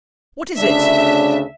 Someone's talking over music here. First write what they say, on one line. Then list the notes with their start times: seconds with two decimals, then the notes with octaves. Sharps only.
What is it?
0.59 D2 C#3 D4 E5